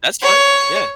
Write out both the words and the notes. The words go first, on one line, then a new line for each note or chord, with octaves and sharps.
That's fine. Yeah.
C#5